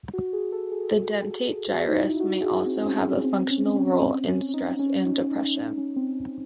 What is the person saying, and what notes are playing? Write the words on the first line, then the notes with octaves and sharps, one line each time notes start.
The dentate gyrus may also have a functional role in stress and depression.
F#4
G#4
A4
G#4
F#4
D#4
E4
E4
F#4
G#4
F#4
C4
C4
C#4
C#4
C4
C#4
C4
C#4
C4
C#4
C#4
D#4
C#4
D#4
D#4
C#4
D#4
C#4
C#4
C4